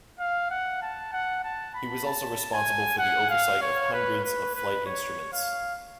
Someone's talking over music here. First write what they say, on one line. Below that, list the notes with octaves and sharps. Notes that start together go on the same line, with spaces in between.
He was also responsible for the oversight of hundreds of flight instruments.
F5
F#5
A5
F#5
A5
B5
A5
G#5
F#5
F5
C#5
B4
B4
B4
C#5
F5